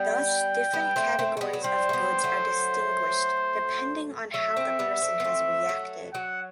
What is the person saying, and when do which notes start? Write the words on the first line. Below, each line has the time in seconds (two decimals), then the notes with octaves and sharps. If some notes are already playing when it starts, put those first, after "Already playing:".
Thus different categories of goods are distinguished, depending on how the person has reacted.
Already playing: G3 B3 G5
0.73 G3 B3
0.96 A3 C4
1.19 A3 C4
1.37 A3
1.41 G3 B3
1.53 F#3
1.63 G3 C5
1.89 A3
1.93 G3 B3
2.23 F#3 A3
4.34 F#3 A3 E5
4.57 A3 C4
4.79 G3 B3
5.02 A3 C4
5.20 B3
5.24 A3 C4
5.69 F#3 A3
6.14 F#3 F#5